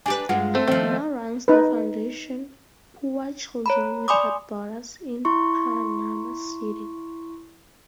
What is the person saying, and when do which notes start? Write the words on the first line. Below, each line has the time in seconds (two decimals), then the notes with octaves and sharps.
He now runs the foundation, "Poor Children Without Borders" in Panama City.
0.06 D4 G4 B4 G#5
0.29 G2 G#3 F4 F#5
0.55 A3 C4
0.68 D#3 F3 C4
1.48 D#4 B4
3.66 C#5 A#5 B5
4.08 D5 G#5 B5 C6 D6 D#6
5.25 E4 C6 C#6